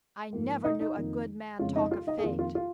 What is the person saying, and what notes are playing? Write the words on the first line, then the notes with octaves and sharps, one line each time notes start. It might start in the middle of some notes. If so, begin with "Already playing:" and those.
I never knew a good man talk of fate.
G#2 F3 A#3
D#4 D#5
D#4
F2 D#3 A#3 D#4
F2 C#3 G#3 C#4 F4
D#4 D#5
F4 F5
D#4 D#5
G#4
F2 D#3 A#3 F4
F4
F4